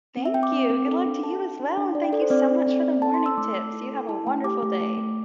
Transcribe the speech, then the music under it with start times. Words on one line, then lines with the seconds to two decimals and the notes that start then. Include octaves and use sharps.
Thank you, good luck to you as well, and thank you so much for the morning tips you have a wonderful day.
0.17 C4
0.26 E5
0.34 C4 G5
0.43 D6
0.52 C4
0.70 C4
0.88 A4
1.06 D4
1.24 A4 A5
1.41 A4
1.59 D4
1.77 D4
1.95 D4 D5
2.04 G5
2.12 A4 D5
2.21 C5
2.30 C4 D5
2.49 C4
2.67 C4
2.84 C4
3.02 A4 A5
3.14 C6
3.20 A4
3.26 E6
3.37 A3 D6
3.55 A3
3.73 E4
3.91 A4
4.08 E4 A5
4.27 A3 G5
4.44 G4 D6
4.62 A3
4.80 A3
4.98 A3